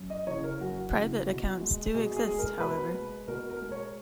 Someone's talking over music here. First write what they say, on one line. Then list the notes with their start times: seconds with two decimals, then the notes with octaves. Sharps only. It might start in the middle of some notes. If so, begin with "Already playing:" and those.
Private accounts do exist, however.
Already playing: F#2
0.10 D#5
0.27 C#3 E3 C#5
0.44 A#4
0.61 F#2 F#4
0.94 C#3 E3
1.28 B2
1.61 G#3
1.94 B2 G#4
2.17 G#4
2.27 G#3
2.39 A#4
2.60 B2 B4
2.94 G#3
3.28 B2 A#4
3.50 A#4
3.61 G#3
3.72 C#5